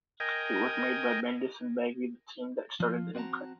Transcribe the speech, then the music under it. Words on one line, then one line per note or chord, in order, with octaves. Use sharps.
It was made by Bendis and Bagley, the team that started the imprint.
A#4 D#5 G5 G#5
F3 F4
C4 F#4 D#5 A5 A#5